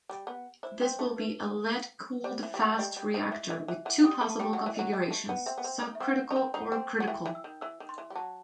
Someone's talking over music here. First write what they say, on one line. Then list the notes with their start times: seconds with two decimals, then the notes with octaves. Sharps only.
This will be a 'Lead-cooled fast reactor' with two possible configurations: sub-critical or critical.
0.09 G3
0.27 B3
0.63 E4 C5
0.81 C4
0.99 A3
1.16 B4
2.24 G3 C5
2.43 E3
2.54 G3
2.60 F#3
2.78 G3 D#5
2.97 G3
3.14 D#3
3.23 D#5
3.32 E3 E5
3.49 E3 D#5
3.58 E5
3.68 E3
3.85 E3 F#5
4.04 G3 D#6
4.14 C6
4.21 A3 B5
4.30 A5
4.39 G3 G5
4.53 F#3 D#5
4.66 E3
4.75 D#5
4.79 F#3
4.93 G3 D#5
5.10 A3
5.29 B3
5.46 C4 E5
5.58 B3
5.64 C4
5.82 D#4
5.95 E5
6.00 C4 F#5
6.31 D#4
6.36 C4
6.54 D#4 F#5
6.72 C4
7.00 F#3
7.08 E3 G5
7.26 E3
7.35 E6
7.44 D#3
7.61 E3 E6
7.80 D#3
7.89 C6
7.98 E3
8.10 G3
8.15 F#3 A5